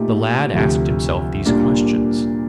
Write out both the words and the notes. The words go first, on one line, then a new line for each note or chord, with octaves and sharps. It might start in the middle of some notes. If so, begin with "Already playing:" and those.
The lad asked himself these questions.
Already playing: A#2 A3 D#4 G4
D2 C3 F3
A#2 G3 A#3 D4